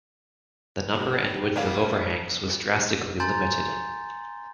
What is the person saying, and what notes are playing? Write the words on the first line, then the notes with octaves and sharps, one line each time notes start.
The number and width of overhangs was drastically limited.
G2 D#3 F#4 G4 B4
C#3 A3 A#3 B4 C#5 F5
G#5 A#5 C6 G6 A6